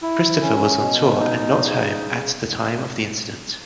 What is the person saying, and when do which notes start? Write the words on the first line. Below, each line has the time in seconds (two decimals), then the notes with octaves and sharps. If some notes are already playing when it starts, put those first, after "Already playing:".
Christofer was on tour and not home at the time of the incident.
0.02 E4
0.42 C#4
0.80 B2
1.19 D#4
1.58 C#3